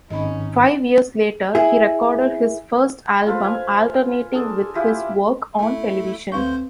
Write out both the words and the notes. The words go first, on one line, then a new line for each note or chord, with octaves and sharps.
Five years later he recorded his first album alternating with his work on television.
G#1 C#4 D#4 D#5 B5
E4 G#4
F4 A4 B4 C5
F5 G#5
D4 G#4 A4
E4 F4 G4 G#5
A3 E4
D2 C4 B4 C5 F5 C#6 G6